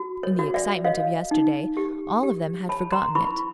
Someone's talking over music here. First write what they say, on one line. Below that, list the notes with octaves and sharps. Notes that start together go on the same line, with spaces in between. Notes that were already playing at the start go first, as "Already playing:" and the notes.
In the excitement of yesterday all of them had forgotten it.
Already playing: F#4
C#5
F#4
D5 E5
C#5 D#5 F5
D#4
G4
G4
C#5 A5 B5
A#5 C6
E4 B5 C#6